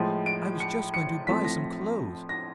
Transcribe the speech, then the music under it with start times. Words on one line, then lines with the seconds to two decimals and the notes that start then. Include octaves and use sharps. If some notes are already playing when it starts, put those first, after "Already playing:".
I was just going to buy some clothes.
Already playing: A2 F3 G#3
0.26 D7
0.60 C#7
0.94 C#7
1.27 A2 F3 A3 C4 B6
1.45 A#6
2.29 A#6